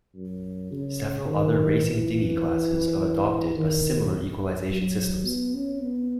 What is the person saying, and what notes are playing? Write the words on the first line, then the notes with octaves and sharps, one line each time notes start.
Several other racing dinghy classes have adopted a similar equalisation systems.
F#2
C#3
D#3
E3
D#3
F#3
B3
C#4
B3